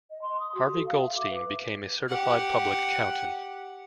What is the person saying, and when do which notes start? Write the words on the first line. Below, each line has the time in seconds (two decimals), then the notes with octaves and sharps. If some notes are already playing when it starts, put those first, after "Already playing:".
Harvey Goldstein became a certified public accountant.
0.10 D#5
0.22 C6
0.40 D#6
0.55 F#4
0.73 A4
0.86 F5
1.01 E5
1.16 D6
1.30 B4
2.09 G4 F#5